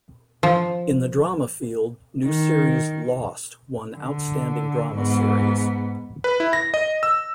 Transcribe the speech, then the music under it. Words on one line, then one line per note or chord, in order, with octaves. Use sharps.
In the drama field, new series "Lost" won Outstanding Drama Series.
F3
D#3
D3
G#2 B3
B4
E4
A#6
D#5
E6